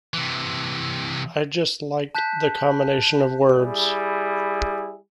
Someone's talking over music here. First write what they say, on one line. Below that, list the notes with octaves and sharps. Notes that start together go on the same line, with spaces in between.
I just liked the combination of words...
C3 E3
A5 F#6 G6 B6
G3 E4 G#4